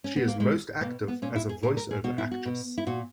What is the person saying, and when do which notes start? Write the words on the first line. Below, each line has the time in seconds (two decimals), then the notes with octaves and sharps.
She is most active as a voice-over actress.
0.04 C#4
0.16 B3
0.28 A#3
0.40 B2 G#3
0.81 B2 A#3
1.08 B3
1.22 A#2 C#4
1.36 E4
1.49 G#4
1.63 A#2 A#4
1.77 A#4
1.91 G#4
2.04 B2 F#4
2.18 E4
2.31 F#4
2.46 B2
2.78 E4
2.87 A#2 F#4